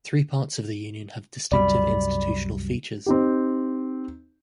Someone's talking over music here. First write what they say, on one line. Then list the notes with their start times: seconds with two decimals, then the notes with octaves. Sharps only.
Three parts of the union have distinctive institutional features.
1.52 C2 F#2 G3 D5 B5
3.06 C4 D#4 G4